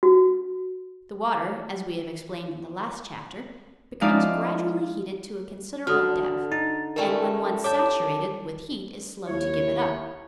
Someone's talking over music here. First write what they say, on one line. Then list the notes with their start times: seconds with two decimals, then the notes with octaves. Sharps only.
The water, as we have explained in the last chapter, becomes gradually heated to a considerable depth, and when once saturated with heat is slow to give it up.
0.03 F#4
4.01 F3 G#3 D#4 E4 D5 F5
5.87 D3 F#4 A4 D#6 F6
6.52 D#4 A6
6.96 G3 A3 C#4 A#4 D5 G5
7.64 C#5 E5 G5 A5 D6
9.26 D#2 E4 C#5